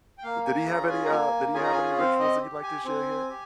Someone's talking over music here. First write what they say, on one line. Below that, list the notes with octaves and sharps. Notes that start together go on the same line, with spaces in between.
W did he have any, uh, did he have any rituals that you'd like to share here?
G5
A#3 F5
G#5
C#4 F4 G#4 A#5
G#5
A#5
A#3 G#5
C#4 F4 G#4 G#5
A#5
G#5
C4 F5
D#5
G4
G#5
C4 G#5
G4